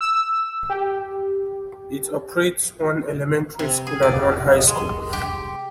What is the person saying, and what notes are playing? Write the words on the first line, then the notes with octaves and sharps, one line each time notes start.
It operates one elementary school and one high school.
E6
G4
C3
G#4
D5
G#3
G4